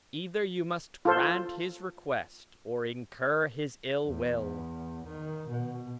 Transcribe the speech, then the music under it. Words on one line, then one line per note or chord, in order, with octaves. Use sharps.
Either you must grant his request or incur his ill will.
F4 A4 C5
E2
D#3
B2